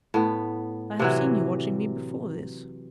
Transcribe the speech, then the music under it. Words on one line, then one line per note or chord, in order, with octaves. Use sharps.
'I have seen you watching me before this.'
A2 B3
C3 E3 F#3